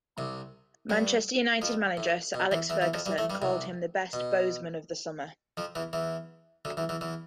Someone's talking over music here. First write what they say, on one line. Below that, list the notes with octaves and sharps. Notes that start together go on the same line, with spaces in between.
Manchester United manager Sir Alex Ferguson called him the "best Bosman of the summer".
C2 C3
G2 G3
F2 F3
A2
B2
E2 E3
E2 E3
E2 E3
F2 F3
G2 G3
A2 A3
G2 G3
C2 C3
B2
F2 F3
E2 E3
E2 E3
D2 D3
E2 E3
E2 E3
E2 E3